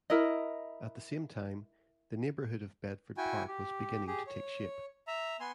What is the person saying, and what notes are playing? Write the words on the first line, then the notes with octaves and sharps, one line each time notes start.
At the same time, the neighborhood of Bedford Park was beginning to take shape.
E4 A#4 D#5
E4 F#4 G5 G#5
G4
G4 G#4
C#5
E5 A#5
B3 G#5 C6